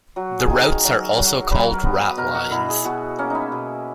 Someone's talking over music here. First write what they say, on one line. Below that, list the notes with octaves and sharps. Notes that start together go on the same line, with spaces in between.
The routes are also called ratlines.
F#3 F#4
G#4
D#3
A#4
F#3
F#3
F#3 B4
A#4
B3
B4
B2 A#4
F#4
B2 E4
G#4
B2 F#4
A#3 C#4
D#4 E4
B2